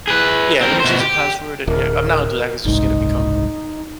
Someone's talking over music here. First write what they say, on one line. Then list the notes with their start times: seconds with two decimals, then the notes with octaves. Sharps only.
yeah, "Let me change the password," and, you know, I'm not gonna do that because it's just gonna become
0.07 G#4 B4
0.61 C4 A#4
0.80 B2 C5
1.00 G4
1.67 D1 A#4
2.65 F#1 C2 G#2 D#4